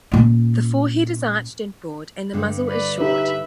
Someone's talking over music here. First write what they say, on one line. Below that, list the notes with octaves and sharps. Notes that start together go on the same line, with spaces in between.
The forehead is arched and broad, and the muzzle is short.
A#2 C#4
G2 D3
B4 D5
D#4 G4 B4 E5